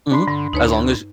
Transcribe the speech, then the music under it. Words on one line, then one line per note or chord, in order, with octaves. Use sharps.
Mhm, as long as y
D4 B5 C6
G2 D3
D2 D#4 B4 C#5